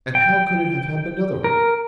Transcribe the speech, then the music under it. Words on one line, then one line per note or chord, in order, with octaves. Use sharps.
And how could it have happened otherwise?
G5
A#4